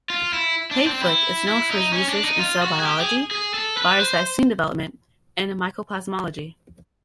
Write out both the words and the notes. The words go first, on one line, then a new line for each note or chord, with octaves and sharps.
Hayflick is known for his research in cell biology, virus vaccine development, and mycoplasmology.
F4
E4
D4
C4
E4
E4
D#4
C#4
D4
D#4
F4
F#4
G#4
G4
G#4
G#4
A4
B4
C5